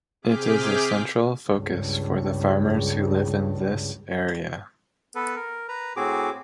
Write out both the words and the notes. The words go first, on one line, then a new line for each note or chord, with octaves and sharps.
It is a central focus for the farmers who live in this area.
C3 G#4 D6 F6 G6 B6
C#2 G2
B3 A4 B4
A#4
B4 A#5
A2 C4 F#4 G#4 D6